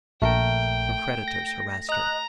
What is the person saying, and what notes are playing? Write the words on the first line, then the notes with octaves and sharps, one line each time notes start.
Her creditors harrassed her.
A#1 A3 A#4 G5
A#6
D#5 A#5 F#6